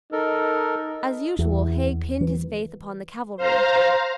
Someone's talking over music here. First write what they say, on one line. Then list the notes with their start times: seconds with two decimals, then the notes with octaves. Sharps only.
As usual Haig pinned his faith upon the cavalry.
0.12 D#4 A4 A#4
1.39 E2
2.21 E3
3.36 C5 F5 A#5